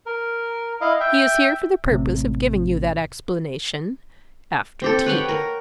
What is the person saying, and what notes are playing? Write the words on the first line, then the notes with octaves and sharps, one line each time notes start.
He is here for the purpose of giving you that explanation--after tea.
A#4
E4 D#5 F5
E5 G5
A1 A2 C3
C4 G4 A4
B4 C#5 F#5 G5
A#4